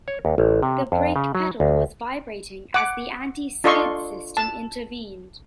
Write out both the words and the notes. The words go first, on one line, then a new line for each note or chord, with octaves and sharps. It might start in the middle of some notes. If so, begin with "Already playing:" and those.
The brake pedal was vibrating as the anti-skid system intervened.
C#5
D#2
A1
C3
F2
C#3
F#3
D2
F#5 D6
D4 F4 A4 D#5 C6 C#6
A5